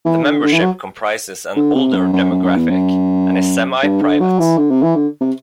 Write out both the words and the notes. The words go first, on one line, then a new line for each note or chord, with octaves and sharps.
The membership comprises an older demographic and is semi-private.
E3
D3
D3
E3
F#3
D3
C3
F#2
F#2
F#2
F#2
E2
F#2
G2
D3
F#3
E3
D3
C3
E3
D3
C3